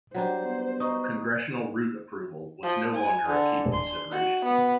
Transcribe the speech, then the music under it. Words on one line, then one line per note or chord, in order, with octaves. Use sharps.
Congressional route approval was no longer a key consideration.
F#3 G3 D4 C5 F#5 A#5
B3
D#4 A#5 C#6 D#6
F3
G#5
D3
C6
F#4
B3